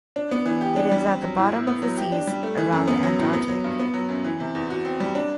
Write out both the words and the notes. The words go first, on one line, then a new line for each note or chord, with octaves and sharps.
It is at the bottom of the seas, around the Antarctic.
D4
B3
E3
G4
D4
G3
C4
F#3
A2
E4
B3
F#3
G4
D4
G3
A3
E3
F#2
B3
F#3
A2
B3
F#3
G2
B3
F#3
F#2
E3
C3
E2
F#4
C4
G3
D4